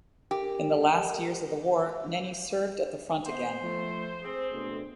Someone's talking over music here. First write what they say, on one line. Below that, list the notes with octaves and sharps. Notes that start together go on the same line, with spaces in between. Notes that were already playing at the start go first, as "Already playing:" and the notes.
In the last years of the war Nenni served at the front again.
G4 A#4
B3 C5
F3 A3
C4 G#4 C5
B2 D3 A3